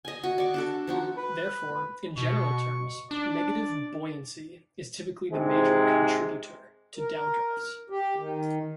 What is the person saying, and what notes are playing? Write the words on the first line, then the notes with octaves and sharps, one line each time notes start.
Therefore, in general terms, negative buoyancy is typically the major contributor to downdrafts.
D#5 G#5
F#4
D5 C#6
D4 F#4 A4
F3 D#4 F#4
B4
B2 C#6
D4 D5
G#2 C3 G#3
A#4
G4
D#3